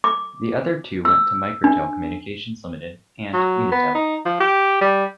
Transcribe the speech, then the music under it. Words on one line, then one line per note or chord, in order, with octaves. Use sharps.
The other two went to Microtel Communications Limited, and Unitel.
D6
E6
D4
F#3
B3
D#4
F3
G4
G3